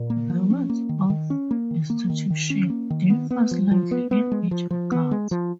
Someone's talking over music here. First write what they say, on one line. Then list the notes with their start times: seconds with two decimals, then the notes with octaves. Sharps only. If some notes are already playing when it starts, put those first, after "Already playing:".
The words of institution differ slightly in each account.
Already playing: A#2
0.10 A#3
0.30 F3
0.50 C#4
0.70 A#3
0.89 D#3
1.10 D#3
1.30 C#4
1.51 A#3
1.71 D#3
1.90 A#3
2.10 D#3
2.30 D#3
2.50 C#4
2.70 A#3
2.90 D#3
3.10 B3
3.31 B3
3.51 F3
3.71 F3
3.91 B3
4.11 B3
4.32 G#3
4.51 F3
4.71 F3
4.92 B3
5.11 G#3
5.31 F3